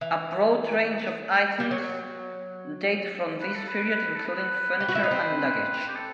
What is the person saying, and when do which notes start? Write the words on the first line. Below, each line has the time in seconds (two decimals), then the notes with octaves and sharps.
A broad range of items date from this period including furniture and luggage.
0.01 E3
1.60 G3
1.71 F#3
3.41 B4
3.54 A4
3.67 B4
3.84 B4
4.15 A4
4.25 B4
4.80 G4
4.88 F#4
4.95 E4
5.04 D#4
5.11 C4
5.88 G4
5.96 A4